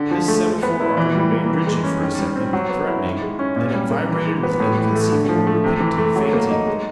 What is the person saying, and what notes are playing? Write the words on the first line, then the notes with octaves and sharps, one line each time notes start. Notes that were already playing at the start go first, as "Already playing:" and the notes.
This semaphore arm remained rigid for a second, threatening; then it vibrated with inconceivable rapidity, feinting.
Already playing: D3
F3
A3
G#3
B3
E4
E3
G3
A#3
E3
G#3
C#4
D#3
G3
C4
F#3
B3
E4
D#3
G#3
C#4
A#2
G3
A#3
E3
G#3
B3
A2
E3
A3
D3
F3
A3
C3
E3
A3
F#3
A#3
D#4
G#3